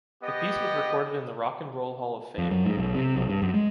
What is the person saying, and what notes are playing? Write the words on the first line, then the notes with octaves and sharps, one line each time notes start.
The piece was recorded in the Rock and Roll Hall of Fame.
B3 G4 D#5
F2
F#2
G#2
B1
C3
B1
G2
F#2
G#3